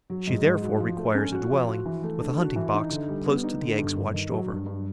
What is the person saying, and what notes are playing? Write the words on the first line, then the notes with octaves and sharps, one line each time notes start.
She therefore requires a dwelling with a hunting-box close to the eggs watched over.
F#3
G#2
G#2
F#4
F3
A3
C#4
F#4
F3
F#4
E3
A3
D4
F#4
E3
D#4
D3
G3
B3
D#4
D3
G2
G2
D#3
F#3
G2
G2